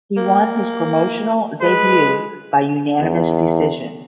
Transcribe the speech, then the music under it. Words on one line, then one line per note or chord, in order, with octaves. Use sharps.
He won his promotional debut by unanimous decision.
A#3
G#3 B4
E2